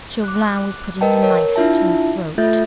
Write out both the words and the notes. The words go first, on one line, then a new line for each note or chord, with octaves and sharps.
Chauvelin was putting the knife to her throat.
D6 F#6
A#4 B4 D#5 G5 A5
A#4 C#5
D4 E4 F4 E5 A5
A3 F4 A4 E5 G6 A6